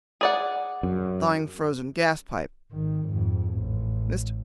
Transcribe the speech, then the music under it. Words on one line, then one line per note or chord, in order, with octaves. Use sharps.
Thawing Frozen Gas Pipe.--Mr.
G#4 D5 F#5
F#2
G#1 D#3
F2 G#2
A1